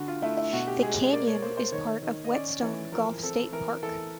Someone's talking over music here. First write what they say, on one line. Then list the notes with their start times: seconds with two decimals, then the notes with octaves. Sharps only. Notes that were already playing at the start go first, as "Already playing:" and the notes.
The canyon is part of Whetstone Gulf State Park.
Already playing: D3 F#4
0.08 F4
0.22 A3 E4
0.37 E4
0.53 B2 F#4
0.67 G4
0.82 G#3 G#4
1.12 A#3 D5
1.27 C#5
1.42 A#3 C5
1.57 C5
1.72 D#3 C#5
2.03 D#3
2.24 D#5
2.33 C#4 D5
2.62 E3 C#5
2.92 F3 A#4
3.23 C4 A4
3.52 E3 A#4
3.83 E3 A4